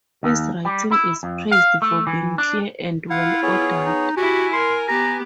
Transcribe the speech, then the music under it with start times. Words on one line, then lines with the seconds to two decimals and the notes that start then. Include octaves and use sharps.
His writing is praised for being clear and well ordered.
0.23 D#2
0.65 G3
0.91 E4
1.23 F2
1.51 F5
1.82 A3
2.07 E3
2.38 D4
3.10 E4 F4 F5 F#5
3.43 B3 G#4 C#5
3.86 D#4
4.17 E4 F#4 G4 G#5
4.53 A#4 C6
4.88 B3 G4 A#5